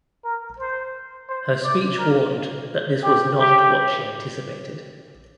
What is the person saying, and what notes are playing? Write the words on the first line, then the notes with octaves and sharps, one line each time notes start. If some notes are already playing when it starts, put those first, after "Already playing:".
Her speech warned that this was not what she anticipated.
A#4
C5
C5
D5
A#4
G4
G4